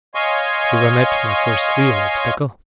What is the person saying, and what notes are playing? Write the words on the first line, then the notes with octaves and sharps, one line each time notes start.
Here I met my first real obstacle.
C#5 D#5 F5 G#5 C6 C#6